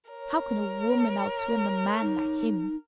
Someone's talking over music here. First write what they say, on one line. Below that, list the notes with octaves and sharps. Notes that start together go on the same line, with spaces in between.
How could a woman outswim a man like him?
A#4 C#5
D#4